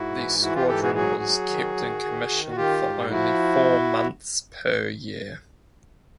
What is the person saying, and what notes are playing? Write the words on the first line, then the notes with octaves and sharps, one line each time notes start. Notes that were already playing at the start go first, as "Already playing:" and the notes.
The squadron was kept in commission for only four months per year.
Already playing: G#2 E4 F#4
E3
E3 E4 F#4
F4 G4
G#2 G4 A4
F#4 G#4
F#3 F#4 G#4
F#3
D#3
D#3
D#3
D#3
F#4
D#3 F4 G4
G#2
F3 E4 F#4